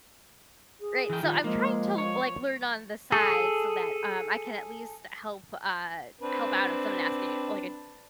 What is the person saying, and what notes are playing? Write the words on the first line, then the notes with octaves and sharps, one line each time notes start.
Right, so I'm trying to, like, learn on the side, so, that, um, I can at least help, uh, help out if someone asks me, like, a
G#4
E3 G5
D#3 G3 F4
F3 G#3 A#3
C#5
G#4 A4
C4 D4 B4